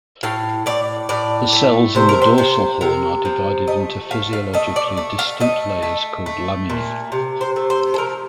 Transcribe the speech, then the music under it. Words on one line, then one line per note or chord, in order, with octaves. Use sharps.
The cells in the dorsal horn are divided into physiologically distinct layers called laminae.
A2 F5
A2 D5
A2 D5
A3
C3 C5
A#4
C5
C3 C5
C3 A#4
F3
A3 D#5
A3 F5
F5
A3 D#5
D5
A3
F5
A3 D#5
A3
A3
A#2
C3
C5
A3
C5
A4
F3 A#4